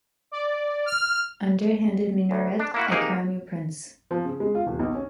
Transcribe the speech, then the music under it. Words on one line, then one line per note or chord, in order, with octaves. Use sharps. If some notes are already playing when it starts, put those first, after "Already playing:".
Underhanded Minoret, I crown you Prince.
D5
F6
D2
D4
A#3 E4 F#4
C3 A#3 D#4 G#4 A#4
F3
C#3
G#3
F4
D#1
B1
C#4